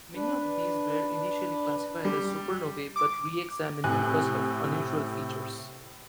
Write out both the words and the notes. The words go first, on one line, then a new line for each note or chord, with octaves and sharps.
Many of these were initially classified as supernovae but re-examined because of unusual features.
D4 B4
G3
D6
A2 C3 G#5 F#6